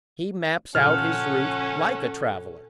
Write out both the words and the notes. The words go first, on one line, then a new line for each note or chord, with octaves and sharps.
He maps out his route like a traveller.
A#2 C#3 F3 C#4 A4 F#5 F6